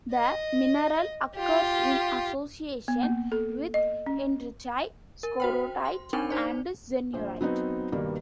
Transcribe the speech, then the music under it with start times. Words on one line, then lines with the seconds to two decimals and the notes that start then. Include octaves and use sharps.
The mineral occurs in association with heinrichite, scorodite, and zeunerite.
0.13 D#5
1.35 F4 G4
2.88 B3
3.03 A#3
3.32 A4
3.74 D#5
4.06 C#4
5.23 A#4
5.40 F#4 C5 G5
5.85 C6
6.13 C4 D4 D#4 A#4 G5 G#5
6.30 D#4 C5 D5
7.13 A#1 C5
7.41 F#3 B3 C4 D#4
7.92 G2 B2 D#3 G3 A#3